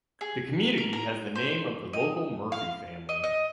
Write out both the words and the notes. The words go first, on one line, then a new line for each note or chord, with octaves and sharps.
The community has the name of the local Murphy family.
G#4
A#4
A#4
C5
D#5
F5
D#5
D#5